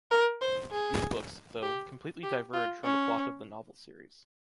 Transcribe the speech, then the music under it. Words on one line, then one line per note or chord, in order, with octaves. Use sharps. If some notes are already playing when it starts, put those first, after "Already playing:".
These books, though, completely diverge from the plot of the novel series.
A#4
C5
G#4
G4
G4
F4
C#4